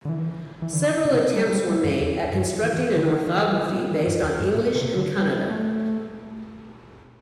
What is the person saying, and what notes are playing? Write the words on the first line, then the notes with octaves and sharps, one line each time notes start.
Several attempts were made at constructing an orthography based on English and Kannada.
D3
E3
E3
D3
C3
G3
G3
G3
G2
E2
G2
E3
D3
E3
G3
G3
E3
G2
E2
G2
A2
C3
D3
G3
A3